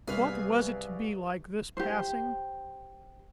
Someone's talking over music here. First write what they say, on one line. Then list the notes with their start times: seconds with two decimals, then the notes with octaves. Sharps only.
What was it to be like this passing?
0.07 C2 G#4 B4 F5
1.77 G4 C5